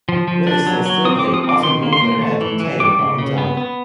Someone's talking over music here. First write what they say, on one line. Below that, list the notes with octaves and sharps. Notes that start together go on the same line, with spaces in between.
When they stay still, they often move their head and tail up and down.
F3
F3
D4
F#3
F#3
C4 D#6
D6
F3
D#6
C4 D6
D#3 C6
A#3
C6
A#3
A3
E3
E3
G3 D6
C#3
C#3
B3
B3